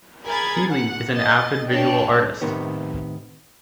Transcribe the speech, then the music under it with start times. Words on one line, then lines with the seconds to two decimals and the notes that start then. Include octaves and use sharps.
Keely is an avid visual artist.
0.24 G#4 A#4 B5 G#6 A6
0.69 F#5
1.15 D#5 A6
1.68 D4 C#5 G5 A5
2.41 A2 C3 D#3 B3